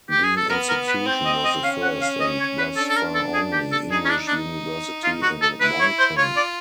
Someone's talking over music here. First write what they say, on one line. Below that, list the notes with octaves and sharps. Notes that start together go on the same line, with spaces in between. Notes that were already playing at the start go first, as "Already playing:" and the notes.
The institution was the first, and thus far only, English university in Moncton.
G4
G#4
A4
B3 A#4
A#4
B4
C4 C5
D#5
D#5
C#4 F5
F#5
F5
D#5
C#5
B4
D4 A4
A4
A#4
A4
G#4
G4
A4
D#4 G#4
C#4
D4
D4
F4
F#4
A4
E4 B4
C#5
C5
F4 C#5
D5